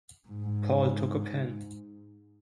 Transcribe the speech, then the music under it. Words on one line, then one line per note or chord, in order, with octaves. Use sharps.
Paul took a pen.
G#2